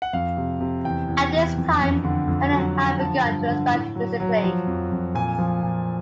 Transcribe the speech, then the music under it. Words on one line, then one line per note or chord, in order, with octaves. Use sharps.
At this time, Brennan had begun to expand musically.
F#5
F2 F5
C3
C3
E2 G5
E2
E2
F2
F2
D3
F2
F#3
D3
F3 A5
G2
D3
A2
F#3
F#3
F3
F2
F2
A#2 G#5
F3
A#2